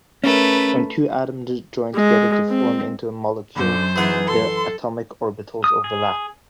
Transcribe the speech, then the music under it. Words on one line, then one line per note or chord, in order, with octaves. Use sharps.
When two atoms join together to form into a molecule, their atomic orbitals overlap.
A3 C#4 A#4 B4
G#3
C4
F#2 D3 C5
E3 B3 D#4 G#4 F#5
A4 C6
D#6
G#4